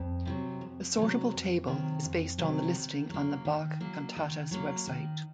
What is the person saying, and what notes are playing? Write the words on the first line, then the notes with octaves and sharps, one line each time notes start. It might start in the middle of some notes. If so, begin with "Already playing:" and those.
The sortable table is based on the listing on the Bach Cantatas website.
Already playing: F2
C3 D#3 F#3
F2
C3 D#3 F#3
F2
C3 D#3 F#3
F2
C3 D#3 F#3
D#3
F#3 A#3
D#3
F#3 A#3
D#3
F#3 A#3
D#3